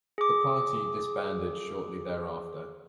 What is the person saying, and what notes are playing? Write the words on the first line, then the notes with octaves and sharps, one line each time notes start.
The party disbanded shortly thereafter.
G#4 D6